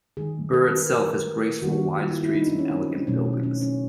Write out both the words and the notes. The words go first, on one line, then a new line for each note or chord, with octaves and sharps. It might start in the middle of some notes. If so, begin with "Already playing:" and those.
Birr itself has graceful wide streets and elegant buildings.
D#3 G#3 G#4
A4
A#4
B4
A#4
G#4
D#3 G3 A#3 F#4
F4
E4
E4
D#4
D4
C#4
C4
B2 F#3 A3 C#4
C#4
C#4